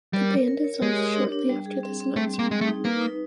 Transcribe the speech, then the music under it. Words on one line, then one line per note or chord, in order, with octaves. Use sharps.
The band dissolved shortly after this announcement.
G3 A#4
C#5
A#4
C#5
G#3 G4
A#4
D4
D4
G3
G#4
C4
C4
G3 A3
C4
A#3
G#3 G#4
A3
D#4
A#3 B4
D#4